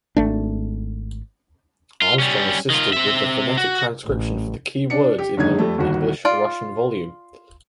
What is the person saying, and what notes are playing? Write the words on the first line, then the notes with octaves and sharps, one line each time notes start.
Armstrong assisted with the phonetic transcription for the keywords in the English–Russian volume.
G#1 A3 D4
F4
G3 C#4
D#3 F4
C4 E5
F#4
A1
D4 C#7
G4
F#1 D3 D#3 D#4 G#6
F2 G3 A3
G1 D#2 F#4
F4 D5